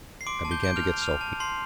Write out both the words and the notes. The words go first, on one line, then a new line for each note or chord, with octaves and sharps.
I began to get sulky.
C7
C6 D6 D7
A5
G6 G7
G6 D7
F6 F7
A5
A5 F6 F7
A5
A5 C6 C7